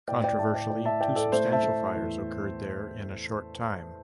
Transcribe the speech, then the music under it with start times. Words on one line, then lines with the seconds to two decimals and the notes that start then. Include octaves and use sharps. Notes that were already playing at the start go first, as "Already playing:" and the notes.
Controversially two substantial fires occurred there in a short time.
0.08 A2 D5 G5
0.24 D5 G5
0.39 A2 E5 A5
0.54 D5 G5
0.70 A2 D5 G5
0.85 E5 A5
1.01 A2 D5 G5
1.16 A4 D5
1.32 A3 C5 E5
1.52 E5 A5
1.63 A3
1.95 E2